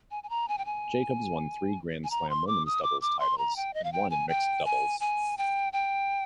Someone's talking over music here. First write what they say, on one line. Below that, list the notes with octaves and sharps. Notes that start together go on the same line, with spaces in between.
Jacobs won three Grand Slam women's doubles titles and one in mixed doubles.
G#5
G#5
A#5
G#5
G5
G#5
G#5
A#5
C6
D6
D#6
D6
D6
C6
A#5
G5
D#5
F5
G5
G#5
G5
G#5
G#5
G5
G5